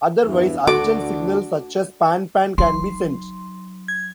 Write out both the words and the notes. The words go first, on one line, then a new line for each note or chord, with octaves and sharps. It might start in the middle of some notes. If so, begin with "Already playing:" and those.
Otherwise, urgent signals such as pan-pan can be sent.
E2 G2 E3
D2 D3 D4 F#4 A4 D6
F#3 D#4 C6
G#6